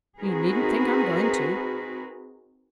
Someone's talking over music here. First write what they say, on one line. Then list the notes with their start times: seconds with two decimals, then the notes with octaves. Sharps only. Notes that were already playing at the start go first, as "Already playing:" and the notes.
You needn't think I'm going to.
0.20 C4 D#4 F#4 G#4 A#4 B4